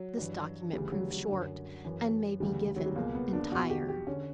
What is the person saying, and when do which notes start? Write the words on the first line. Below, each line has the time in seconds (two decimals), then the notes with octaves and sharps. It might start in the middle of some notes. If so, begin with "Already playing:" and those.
This document proved short and may be given entire.
Already playing: F#3
0.17 G2 E3
0.73 D2 C#3 E3 G3
0.92 F#3
1.10 F#3
1.29 F#2 D3
1.85 F#2 E3
2.40 D2 C#3 E3 G3
2.76 F#3
2.86 G3
2.96 C#2 B2 A#3
3.15 B3
3.33 D4
3.52 E2 B2 F#4
3.70 G4
3.88 G4
4.07 D3 C#4